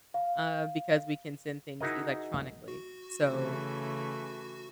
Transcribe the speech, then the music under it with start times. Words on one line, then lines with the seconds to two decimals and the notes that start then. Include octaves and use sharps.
uh, because we can send things electronically." So,
0.14 F5
1.81 D#4 E4 F#4 G#4 A#4 D#5
2.68 F#4
3.24 C#3 E3 A3